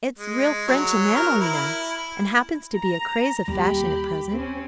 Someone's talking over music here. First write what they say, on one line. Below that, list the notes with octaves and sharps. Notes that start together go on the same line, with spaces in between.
It's real French enamel, you know, and happens to be a craze of fashion at present.
G#3
F#3
A#4
E4
A#5
D#2 G3 G4 B5
C4 C#4